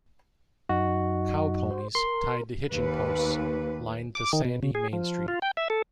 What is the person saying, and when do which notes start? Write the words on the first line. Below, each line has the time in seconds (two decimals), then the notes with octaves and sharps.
Cow ponies, tied to hitching posts, lined the sandy Main Street.
0.69 F#2 D#4 F#4
1.71 C5
1.95 A#4 C6
2.70 D#2 B4
4.15 D6
4.33 D#3
4.45 B2
4.63 C#3
4.75 G#4
4.93 F3
5.28 F4
5.42 G5
5.57 E5
5.70 A4